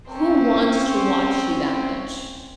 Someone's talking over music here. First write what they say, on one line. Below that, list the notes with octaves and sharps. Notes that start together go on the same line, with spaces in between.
"Who wants to watch you that much?
C4 C#4